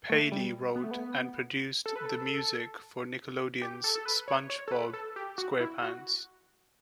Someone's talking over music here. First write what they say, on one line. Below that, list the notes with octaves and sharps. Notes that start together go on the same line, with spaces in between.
Paley wrote and produced the music for Nickelodeon's SpongeBob SquarePants.
A3
G3
B3
A3
B3
A4
B4
A4
G4
A4
A4
B4
C#5
C#5
A4
B4
A4
G4
F#4
E4
F#4